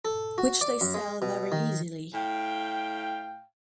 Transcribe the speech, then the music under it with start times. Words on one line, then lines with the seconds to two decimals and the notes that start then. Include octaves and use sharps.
Which they sell very easily.
0.05 A4
0.38 F#4
0.61 D5
0.81 F#2
0.94 G#3
1.22 B2
1.52 D#3
2.14 A2 F5 G5